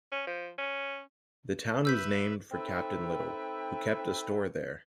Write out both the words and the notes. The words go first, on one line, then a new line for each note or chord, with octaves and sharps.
The town was named for Captain Little, who kept a store there.
C#4
F3
C#4
B4 E5 E6 G6 B6
C4 D#4 A4 B4 E5 G5